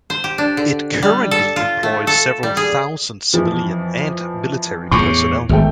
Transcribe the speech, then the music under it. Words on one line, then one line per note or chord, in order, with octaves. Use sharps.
It currently employs several thousand civilian and military personnel.
C5
G4
D4
D3
G3
A4
F4
A3
A4
G3
G#4
F2 E3 F3
E2 A2 C#6 D6
G#1 B2 A3 G5